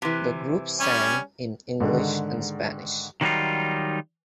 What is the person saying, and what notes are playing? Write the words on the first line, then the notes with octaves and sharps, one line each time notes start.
The group sang in English and Spanish.
C3 E3
G3 C#4 G#5
G#2 D3 D#3 G#3
D#3 F#3 G3 D4 D#4 F4